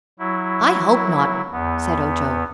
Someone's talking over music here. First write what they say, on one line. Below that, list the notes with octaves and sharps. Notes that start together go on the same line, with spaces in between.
"I hope not," said Ojo.
F#3 E4
E2 B3